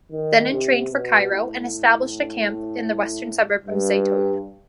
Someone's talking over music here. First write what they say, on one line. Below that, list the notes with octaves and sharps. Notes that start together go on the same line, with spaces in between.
Then entrained for Cairo, and established a camp in the western suburb of Zeitoun.
D#3
C3
B2
A2
G2